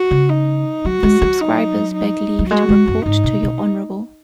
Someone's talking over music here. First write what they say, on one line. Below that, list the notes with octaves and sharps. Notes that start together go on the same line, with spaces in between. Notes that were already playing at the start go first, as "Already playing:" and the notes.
The Subscribers beg leave to Report to your Honorable.
Already playing: F#4
C#3
D#4
F#3 F#4
G#3
F#3
D#4
D#4
F#3
G#3 F#4
G#3
F#2
G#2 D#4
B2
B2